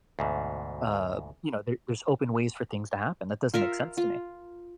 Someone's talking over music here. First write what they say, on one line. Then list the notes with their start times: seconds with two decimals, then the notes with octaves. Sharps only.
uh, you know, there there's open ways for things to happen, that doesn't make sense to me.
0.19 D2 G#2 B2
3.54 F4 A#4 E5 F5
3.97 F4